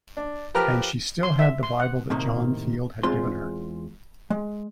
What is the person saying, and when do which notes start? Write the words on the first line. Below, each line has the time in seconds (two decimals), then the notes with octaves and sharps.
And she still had the Bible that John Field had given her.
0.17 D4
0.54 F3 G4 A#4 B4 A#5 F6
1.23 C6
1.39 E5
1.63 C6
1.80 F#5
2.10 A2 C3 D#3 A#3
3.03 E2 G#3 C4 F4 C6
4.30 G#3